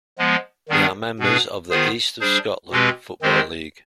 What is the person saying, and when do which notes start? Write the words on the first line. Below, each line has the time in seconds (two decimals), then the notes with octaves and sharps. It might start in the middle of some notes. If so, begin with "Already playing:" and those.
They are members of the East of Scotland Football League.
0.18 F3 G#3 B3
0.69 D#3 G3 B3 D4 G#4
1.19 B2 B3 D4 G#4 B4
1.70 D#3 B3 F4 G#4 C5
2.21 G3 D4 G#4 C5
2.71 B2 G#3 C4 G4 B4
3.22 D#3 G#3 C4 G4 C5